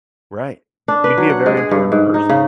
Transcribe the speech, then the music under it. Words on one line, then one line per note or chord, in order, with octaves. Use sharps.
Right, you'd be a very important person.
D4
B4
F#3
F#5
G#3
G#4
G2
G#2
D#4
C#3